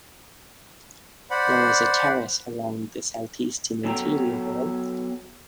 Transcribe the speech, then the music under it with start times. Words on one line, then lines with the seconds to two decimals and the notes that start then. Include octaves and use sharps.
There is a terrace along the southeastern interior wall.
1.31 C5 D5 F#5 B5
3.84 F#3 B3 D4 A4 G5 A#5